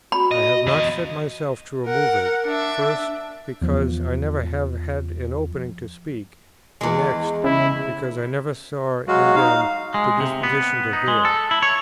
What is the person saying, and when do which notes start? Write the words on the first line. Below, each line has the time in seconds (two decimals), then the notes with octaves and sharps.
I have not set myself to remove it, first, because I never have had an opening to speak, and, next, because I never saw in them the disposition to hear.
0.12 F#4 B5
0.31 D#5
0.67 E2 D#5
1.86 A#4 F#5
2.45 D4 E5
3.62 E2 F3
6.81 E2 G#3
7.44 C#3 E4
9.08 F#3 G#3 F#4 F5
9.36 D#4 F5
9.94 G#3
10.20 C3
10.43 B3
10.93 D#4
11.08 G#3
11.25 A4
11.51 E4
11.62 C#5